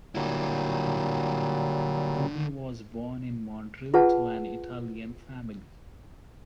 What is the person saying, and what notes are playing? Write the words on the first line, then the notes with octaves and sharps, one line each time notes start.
Bruni was born in Montreal to an Italian family.
A#2 D3 F#3 G3 E4
F4 G#4 B4 F#5 A5